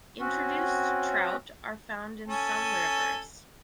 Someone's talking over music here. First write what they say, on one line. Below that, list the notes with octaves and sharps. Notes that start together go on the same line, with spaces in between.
Introduced trout are found in some rivers.
C4 C#4 F#4
C#4 A4 G#5